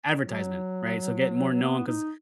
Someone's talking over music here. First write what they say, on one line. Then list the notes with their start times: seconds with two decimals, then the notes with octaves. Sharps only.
advertisement," right? So, get more known 'cause"
0.22 F#3
1.63 B3
1.87 D#4